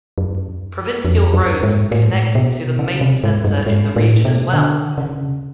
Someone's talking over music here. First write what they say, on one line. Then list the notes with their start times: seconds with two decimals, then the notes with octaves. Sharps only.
Provincial roads connect it to the main centre in the region as well.
0.18 F#2
1.05 F2
1.34 F#2
1.63 G#2
1.92 A2
2.05 G#2
2.18 A2
2.35 B2
2.79 C#3
3.01 C3
3.24 G#2
3.44 G2
3.67 G#2
3.96 A2
4.25 B2
4.54 D3
4.98 C#3